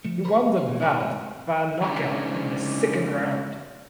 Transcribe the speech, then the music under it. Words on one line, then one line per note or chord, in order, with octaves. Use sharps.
He won the bout via knockout in the second round.
F3 A3
D2 A#4 C5 B5
G#3 C#4
B2 E3
C#4 D4 F#4 A#4 B4 D5
G#2 C3 A3
G#2 C#3 D4 E4 G#4 A#5